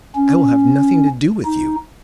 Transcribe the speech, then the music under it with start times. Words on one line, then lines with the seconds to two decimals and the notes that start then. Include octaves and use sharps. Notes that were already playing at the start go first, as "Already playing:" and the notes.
I will have nothing to do with you.
0.15 C#4
1.45 D#4